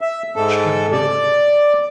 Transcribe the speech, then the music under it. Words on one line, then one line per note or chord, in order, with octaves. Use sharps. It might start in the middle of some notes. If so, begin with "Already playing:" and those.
Sure, yeah.
E5
G#2 A4
D5